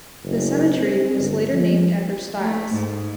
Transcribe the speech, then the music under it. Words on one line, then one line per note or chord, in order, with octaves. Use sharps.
The cemetery was later named after Stiles.
F#1
C4
G1
F3
A3
G#2